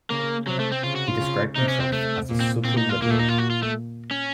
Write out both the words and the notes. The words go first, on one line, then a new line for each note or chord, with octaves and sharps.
He described himself as a 'social liberal'.
C#3 A#3
C3 F#3
A3
C4
C#3 F4
F#4
F4
C#3
C3 D#4
C#4
C4
A3
A#2
C4
A#2 C4
D#4
F4
A#2 A#3
A3
D#4
F4
F#4
F4
A3
C#4